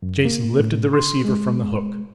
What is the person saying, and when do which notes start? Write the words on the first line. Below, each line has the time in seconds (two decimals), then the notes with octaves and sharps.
Jason lifted the receiver from the hook.
0.02 F#2
0.25 A#3
0.59 A2
0.93 C6
1.25 G#3